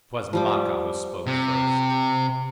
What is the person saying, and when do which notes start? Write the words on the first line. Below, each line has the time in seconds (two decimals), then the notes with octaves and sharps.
'Twas Maka who spoke first.
0.33 F3 G3 D6
1.27 C3